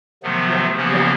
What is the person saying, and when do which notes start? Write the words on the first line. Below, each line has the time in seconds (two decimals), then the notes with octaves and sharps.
Yep, yep.
0.23 C3 D#3 F3 F#3 A3 B3
0.77 C#3 E3 F3 A#3 B3 C#4